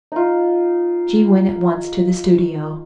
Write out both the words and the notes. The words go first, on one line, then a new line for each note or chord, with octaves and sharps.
She went at once to the studio.
D#4 F4